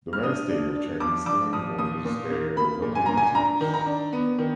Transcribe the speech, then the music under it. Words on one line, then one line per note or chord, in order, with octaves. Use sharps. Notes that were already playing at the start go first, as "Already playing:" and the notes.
The mainstay of Chinese steam was their locomotives.
F6
D4 D#6
D4
D4
F3 D6
D4 D6
F3 D#6
A#2 D#6
A#2
A#3
A#3 B5
A#2
G#5
A#2 A#5
G#5
D4 A#5
D#3
A#5
D4
B3
D#3